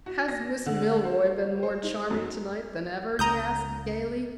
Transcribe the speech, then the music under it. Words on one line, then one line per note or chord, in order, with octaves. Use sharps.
"Has Miss Milroy been more charming to-night than ever?" he asked, gayly.
F#4
A#6
D3
C5
C5
D#4
F#2
C#2 A#5 D#6 G6